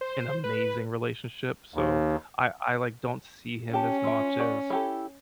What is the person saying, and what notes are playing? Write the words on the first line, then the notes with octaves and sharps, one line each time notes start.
an amazing relationship, so I I, like, don't see him as much as
C5
B4
D#2
C#4 G4 A5
F4 E5
F#4 D5 B5
E4 G4 A4